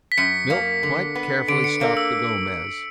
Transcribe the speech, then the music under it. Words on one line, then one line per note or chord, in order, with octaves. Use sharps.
Milt quite carefully stopped the Gomez.
B6
F#2 C#7
A#3
D3
B3
D3 D7
C#7
A#3
E6